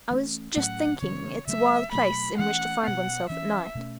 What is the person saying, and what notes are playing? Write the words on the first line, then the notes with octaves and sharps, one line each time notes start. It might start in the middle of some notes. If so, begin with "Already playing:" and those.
I was just thinking it's a wild place in which to find one's self at night.
E3 A3 C#4
A2 F#3 A3 C#4 F#5
C#3 E3 C#4 C#5
C#3 F#3 A3 E5
B2 F#3 A3 B5
E3 A3 C#4 F#5
B2 B3 F#5
E3 C#4 E5
B2 A3 C#4